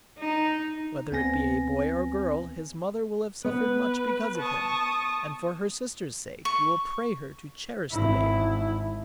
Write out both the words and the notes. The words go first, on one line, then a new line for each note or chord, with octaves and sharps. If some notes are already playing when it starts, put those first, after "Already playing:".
Whether it be a boy or girl his mother will have suffered much because of him, and for her sister's sake you will pray her to cherish the babe.
D#4
D2 B3 C4 G#5 A#6
B3 B4
A5 C#6 D#6
C#6
G#1 E4